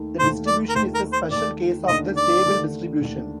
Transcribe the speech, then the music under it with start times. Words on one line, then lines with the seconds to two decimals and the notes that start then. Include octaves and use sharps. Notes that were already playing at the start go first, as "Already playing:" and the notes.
The distribution is a special case of the stable distribution.
Already playing: D#2 D#3 A3
0.19 D#2 D#3 A3 C5
0.47 D5
0.69 A#4
0.76 D#2 D#3 A3 C5
0.95 A#4
1.13 C5
1.32 D#2 D#3 A3 D5
1.88 D#2 D3 A3 D4 D#5
2.17 D5
2.46 D#2 D3 A3 D4
3.01 D#2 D3 A3 D4